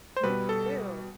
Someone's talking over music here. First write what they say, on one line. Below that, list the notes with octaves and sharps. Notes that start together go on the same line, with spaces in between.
You too.
C5
B2 G3 B4
A4